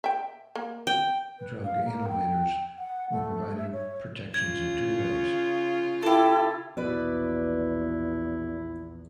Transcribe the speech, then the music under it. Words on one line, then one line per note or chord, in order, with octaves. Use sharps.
Drug innovators were provided protections in two ways.
E5 G5
A#3
G5
B4
F5
A#3
G5
F#5
A3
E5
C#5
C#3 F4 G#6
E4 G4 A4
A#1 E2 B2 E4 B4 D5